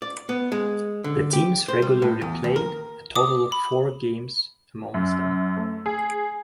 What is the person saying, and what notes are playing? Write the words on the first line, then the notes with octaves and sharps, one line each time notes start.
The teams regularly play a total of four games amongs them.
D5
B3
G#3
D3
G4
C5
G3
A2
E2
D#2
A#4
D6 D#6
B5
F#2
A3
G#4